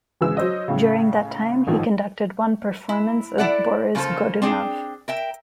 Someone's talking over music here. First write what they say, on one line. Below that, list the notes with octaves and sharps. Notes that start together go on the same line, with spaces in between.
During that time, he conducted one performance of "Boris Godunov".
G#1 C#3 E3 G#3 E6
F#3 C5 D#5
A2 C#3
A1 G#2 D#3 F3
E4
E4 A4 D5 E5 F#5
C#3 A#3 F4 F#4 A4 C5
C4 D4 G#4 G5
A#4 E5 G5